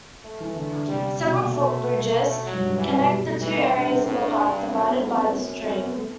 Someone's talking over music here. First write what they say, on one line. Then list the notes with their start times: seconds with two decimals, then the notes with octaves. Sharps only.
Several foot bridges connect the two areas of the park divided by the stream.
0.24 A3
0.40 E3
0.56 D3 A3
0.72 D3
0.88 C3 G3
1.19 B2 G3
1.51 A3
2.47 F#3
2.53 F#2
2.62 G2
2.72 F#2
2.78 G2 E3
2.94 B2
3.10 G3
3.26 A3
3.42 E3 A3
3.57 C4
3.73 C3 D4
3.89 C4
4.05 A2 C4
4.21 D4
4.36 G2
4.46 D4
4.69 F#2 C4
4.85 B3
5.01 E2 A3
5.17 C4
5.32 F#2 C4
5.64 F#2 C4
5.80 B3
5.96 A3